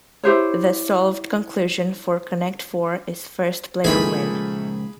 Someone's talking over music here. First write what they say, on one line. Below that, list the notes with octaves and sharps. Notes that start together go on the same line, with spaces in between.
The solved conclusion for Connect Four is first player win.
E4 G4 C5 C#5
C#2 A#2 D#3 F3 A3 A#3 G#4 B5